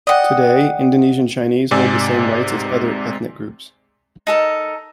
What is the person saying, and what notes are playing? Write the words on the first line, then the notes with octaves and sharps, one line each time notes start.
Today, Indonesian Chinese hold the same rights as other ethnic groups.
D5 D#5 F#5 G5
G#2 C3 D5 G#5 E6
D#4 A4 A#4